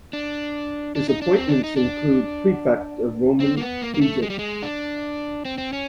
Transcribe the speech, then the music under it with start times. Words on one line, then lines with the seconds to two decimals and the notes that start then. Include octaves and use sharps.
His appointments include prefect of Roman Egypt.
0.13 D4
0.95 D4
1.09 D#4
1.22 D4
1.36 C4
1.49 D4
1.64 D#4
1.76 D4
3.40 C4
3.57 A#3
3.60 B3
3.82 A#3
3.94 A#3
4.01 A3
4.22 G#3
4.30 G3
4.39 G#3
4.63 D4
5.45 C4
5.58 C4
5.73 C#4